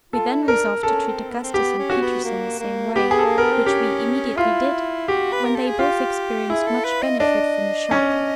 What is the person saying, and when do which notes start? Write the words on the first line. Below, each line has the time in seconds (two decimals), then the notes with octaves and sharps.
We then resolved to treat Augustus and Peters in the same way, which we immediately did, when they both experienced much benefit from the shock.
0.12 F4 A4
0.30 E4
0.43 D#4
0.48 D4 A#4
0.83 C#4 A4
1.07 C4
1.30 B3
1.43 C4
1.54 B3 G4
1.78 C#4
1.90 F#4
2.02 B3
2.24 A#3
2.60 A#3
2.95 B3 G4
3.11 G#4
3.19 A4
3.24 A#3
3.38 B3 A4 A#4
3.52 C4
3.66 C#4 G4
4.37 E4 F4
5.08 F#4 G4
5.33 B4
5.45 A#4
5.56 A4
5.67 G#4
5.79 F4 G4
6.49 E4 G#4
6.67 A4
6.84 B4
7.02 D#5
7.20 D4 D#5
7.91 C#4